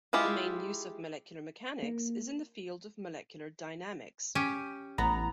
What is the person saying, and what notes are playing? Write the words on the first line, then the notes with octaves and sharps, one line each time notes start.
The main use of molecular mechanics is in the field of molecular dynamics.
G#3 E4 F4 G4
A#3
C#4 G4
A1 B3 A#5